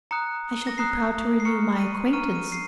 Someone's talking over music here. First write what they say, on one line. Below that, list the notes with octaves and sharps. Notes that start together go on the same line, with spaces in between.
"I shall be proud to renew my acquaintance."
A#5 D#6 F#6 C#7
A#6
A#5 D#6 F#6 C7
C7
A#5 C#6 F6 C#7
D#7
A#5 C#6 F6 D#7
D#7
C7